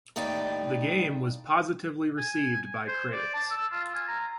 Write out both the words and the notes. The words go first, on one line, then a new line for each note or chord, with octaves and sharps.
The game was positively received by critics.
D#2 A2 D#4 D5 G5
G#5
C5
D5
A5
E6
F4
G#5
A#5